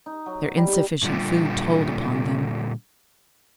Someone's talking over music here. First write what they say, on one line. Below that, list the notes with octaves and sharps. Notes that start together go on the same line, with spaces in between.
Their insufficient food told upon them.
D#4
F#3
G3
A#2 D3 E3 G3 F4